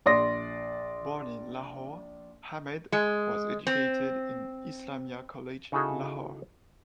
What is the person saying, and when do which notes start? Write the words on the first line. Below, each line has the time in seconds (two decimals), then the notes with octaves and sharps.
Born in Lahore, Ahmed was educated at Islamia College Lahore.
0.06 A#1 D5 C6 D#6 A#6
2.92 G#3
3.67 C4
5.72 C#3 D#4 E4 F#4 G#4 A4